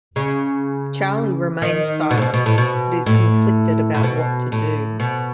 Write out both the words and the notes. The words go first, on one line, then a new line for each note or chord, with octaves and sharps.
Charlie remains silent, but is conflicted about what to do.
C#3
D#3
B2
A2
B2
B2
A2
B2
A2
A2
B2
A2
B2